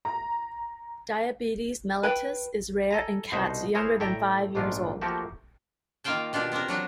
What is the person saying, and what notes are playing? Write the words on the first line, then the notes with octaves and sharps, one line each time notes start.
Diabetes mellitus is rare in cats younger than five years old.
A#5
B4 G5
A4 G#5 A#5
C2 B2 D#4 C5 F#5
E4 G#4 A#4 C5 C#5
A2 A4 D5 E5 G5 A#5
A#1 G#2 A3 D4 F4
F3 A3 A#3 F#4 G4
D#3 A#3 F4 F5 G5 A5
B2 D4 F4 G4 D5
B3 C4 D4 A#4
F#3 D4 F#4